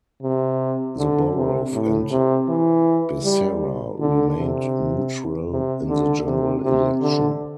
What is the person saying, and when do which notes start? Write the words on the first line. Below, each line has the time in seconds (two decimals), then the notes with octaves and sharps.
Soboroff and Becerra remained neutral in the general election.
0.22 C3
0.98 D3
1.35 C3
1.73 A2
2.11 C3
2.49 E3
3.24 G3
4.00 D3
4.38 C3
5.50 C3
5.88 D3
6.26 C3
6.63 C3
7.01 D3